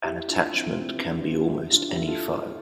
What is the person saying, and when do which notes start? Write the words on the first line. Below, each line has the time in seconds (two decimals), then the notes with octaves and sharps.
An attachment can be almost any file.
0.03 E4 G4
0.28 D4 F4
0.53 C4 E4
0.71 F4
0.78 C4 E4
0.96 B3 D4
1.15 B3 D4
1.34 D4 F4
1.52 E4 G4
1.71 D4 F4
1.89 E4 G4
2.08 F4 A4